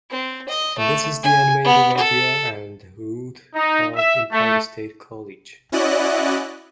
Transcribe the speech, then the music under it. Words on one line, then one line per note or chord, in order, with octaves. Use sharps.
This is the animating idea and the root of Empire State College.
C4
D#5
A3
G#5
B3
A4
D#4
E5
A3
C#4 E4 F#4 D5 D#5 F#6